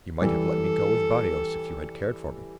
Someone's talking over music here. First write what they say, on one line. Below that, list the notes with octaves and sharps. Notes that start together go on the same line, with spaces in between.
You might have let me go with Barrios if you had cared for me.
E3 G3 A4